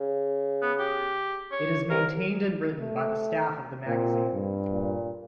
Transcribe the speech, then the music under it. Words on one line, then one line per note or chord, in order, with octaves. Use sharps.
It is maintained and written by the staff of the magazine.
C#3
B3
G4
C#5
C2 A#4
A3
A#2 C4
G2
A#2